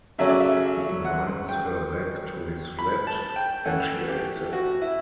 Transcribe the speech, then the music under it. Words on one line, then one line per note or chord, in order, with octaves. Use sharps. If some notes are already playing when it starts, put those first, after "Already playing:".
He invites her back to his flat and she accepts.
C#3 F#3 A3 C#4 E5
D5
E5
F#5
G5
B5
A5
G5
E3 A3 C#4 F#5
G4
F#4
E4